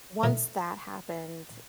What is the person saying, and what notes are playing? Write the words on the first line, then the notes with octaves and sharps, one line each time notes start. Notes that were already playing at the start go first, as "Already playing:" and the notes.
once that happened,
D#3 E3 A3 C#4 D#4 A#4